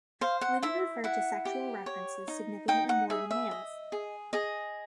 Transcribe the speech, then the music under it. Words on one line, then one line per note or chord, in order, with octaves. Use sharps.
Women referred to sexual references significantly more than males.
C5 F5
F#5
E4 E5
E4 F#5
G4
C#5
D#4
D#4 G5
F#5
G#4 E5
E5
D#5
G#4
G#4 D#5